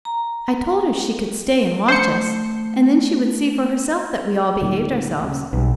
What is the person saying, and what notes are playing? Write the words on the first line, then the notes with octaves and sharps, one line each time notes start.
I told her she could stay and watch us, and then she would see for herself that we all behaved ourselves.
A#5
A3 C5 C#7
D2 A#2 D#3
C#3
B1 G3 B3